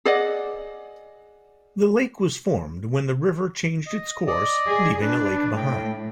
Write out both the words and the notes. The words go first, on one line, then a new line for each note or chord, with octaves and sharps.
The lake was formed when the river changed its course leaving a lake behind.
G#4 D5 D#5 F#5
D#5
D5 D#5
G#4
D4 B4
A2 G5